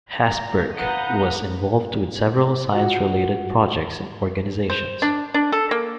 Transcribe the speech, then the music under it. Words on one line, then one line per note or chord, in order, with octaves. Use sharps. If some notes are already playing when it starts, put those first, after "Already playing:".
Hesburgh was involved with several science-related projects and organizations.
A#5
B4 F5 F#5 A#5 D#6 G6
F4 F#4 F#5
C5
D4
D4
A4
A#3